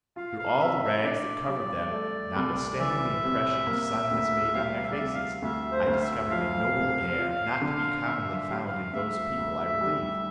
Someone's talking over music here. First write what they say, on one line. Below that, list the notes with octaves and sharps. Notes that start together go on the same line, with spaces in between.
Through all the rags that covered them, notwithstanding the impression the sun has made on their faces, I discovered a noble air, not to be commonly found in those people I relieve.
F4 F5
F5
C3 E5
E5
D4 D5
G3
A3
C2
E3 E5
C3
A#3
D2
G3 F5
E5
D5
C3 E5
F5
D2 E5
C5
D2
F5
E5
F3 F5
C3
F4
D3
D4 E5
G3 F5
F5
D2 E5
D2
G3